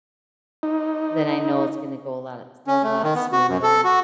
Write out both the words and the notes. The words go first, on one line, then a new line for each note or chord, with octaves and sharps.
then I know it's gonna go a lot a s a lot smoother.
D#4
C#4
A3
D#3
B3
F#4
F#2
A4
F#4